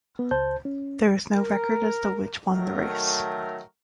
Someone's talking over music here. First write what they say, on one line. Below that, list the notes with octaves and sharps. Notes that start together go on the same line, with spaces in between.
There is no record as to which won the race.
B3
C#2 C5 A5 G6
C#4
A#4
D#3 F#3 A3 A#4